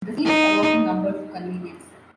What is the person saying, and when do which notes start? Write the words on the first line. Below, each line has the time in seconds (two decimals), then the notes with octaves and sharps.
The scenes are often numbered for convenience.
0.25 D#4